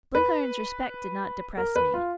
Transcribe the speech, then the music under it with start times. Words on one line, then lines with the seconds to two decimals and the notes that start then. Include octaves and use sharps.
Blenkiron's respect did not depress me.
0.15 B4
1.57 A#4
1.76 B4
1.94 F4